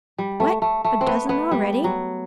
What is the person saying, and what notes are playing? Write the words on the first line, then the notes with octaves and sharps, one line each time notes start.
What! a dozen already?
G3
A3
A3
A3
C4
B3
B3
G3
F#3